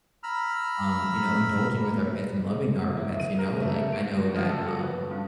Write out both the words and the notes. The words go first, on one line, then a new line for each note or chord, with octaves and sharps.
um, you know, indulging with our pets and loving our pets, you know, like, I know that, um,
A#5 B5 E6 F6
E4
D#7
A#4
A3
D7
F#4
F3
A4
F#4
B4
G2